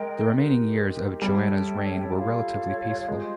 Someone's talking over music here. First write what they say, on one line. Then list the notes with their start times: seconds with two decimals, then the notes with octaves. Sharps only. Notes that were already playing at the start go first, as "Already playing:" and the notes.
The remaining years of Joanna's reign were relatively peaceful.
Already playing: G#3 A#4 D#5 G5 A#5
0.29 D#4 G4 A#4
1.22 G3 A4 C#5 E5 G5
2.15 F4 A4 C#5 F5
3.08 G#3 F4 G#4 C5 D#5